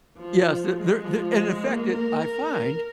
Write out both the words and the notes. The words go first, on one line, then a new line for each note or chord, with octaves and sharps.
Yes, there there in the fact that I find,
F3
G#3
F3
G#3
A#3
A#4
A#4
A#4